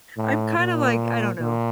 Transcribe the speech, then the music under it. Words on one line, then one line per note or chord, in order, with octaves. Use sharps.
I'm kinda, like, I don't know.
A2
A#2
A#2